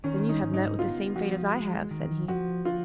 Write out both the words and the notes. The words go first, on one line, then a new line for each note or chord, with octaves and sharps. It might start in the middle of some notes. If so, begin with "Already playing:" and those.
'Then you have met with the same fate as I have,' said he.
D#3 C#4
D#4
G#2
D#4
B3 F4
F3 F#4
G#3
D#3
F3 F#4
F4 F#4